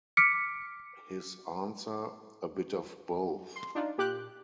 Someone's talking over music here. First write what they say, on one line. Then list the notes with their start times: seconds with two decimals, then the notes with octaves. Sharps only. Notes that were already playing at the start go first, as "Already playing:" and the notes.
His answer: "a bit of both".
0.17 D6 F6 B6 C#7 D7
3.56 C6
3.75 D4 D#4 F4
3.98 A#2 G4 D6 F#6 G6